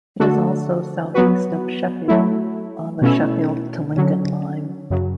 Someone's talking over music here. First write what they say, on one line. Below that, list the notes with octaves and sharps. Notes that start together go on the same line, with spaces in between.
It is also south east of Sheffield on the Sheffield to Lincoln Line.
D3 A3 D4 F#4 A4
F#3 B3 F#4 B4
F#3 A3 E4
B2 A3 C#4 E4
D3 F#3 C#4
F#2 C#3 F#3